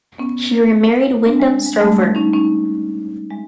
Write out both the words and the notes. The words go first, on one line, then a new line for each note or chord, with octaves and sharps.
She remarried Wyndham Strover.
B3 C#4
C4 D4
G#3
G#3
G3 A3
C#4 D#4
C#4 D#4
G#3